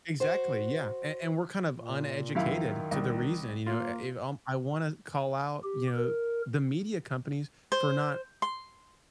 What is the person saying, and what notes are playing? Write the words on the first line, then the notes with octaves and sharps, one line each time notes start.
Exactly, yeah, and and we're kind of uneducated to the reason, you know? I I um, I wanna call out, you know, the media companies for not
F#4 C5
A#2
F#2 D#3 E4 F5
C2
A#3 F4
G4
A#4
C5
C6